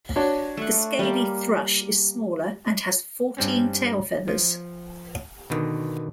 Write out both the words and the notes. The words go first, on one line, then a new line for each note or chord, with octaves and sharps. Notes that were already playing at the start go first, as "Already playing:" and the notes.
The scaly thrush is smaller and has fourteen tail feathers.
D4 F#4 C#5
A3 F#5
G3 A#3
G2 G3 C4 C#4
F3
B2 D3 D#3